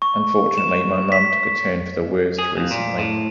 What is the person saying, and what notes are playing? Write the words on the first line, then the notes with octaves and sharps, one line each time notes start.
Unfortunately my mum took a turn for the worse recently.
C#6
E7
B6
G#4
F2
A#2
A2